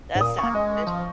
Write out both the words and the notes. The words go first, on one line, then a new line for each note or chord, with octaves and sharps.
That's not good.
G#2
A#2 D#6
A#3 C#6
G#3 D#5
F3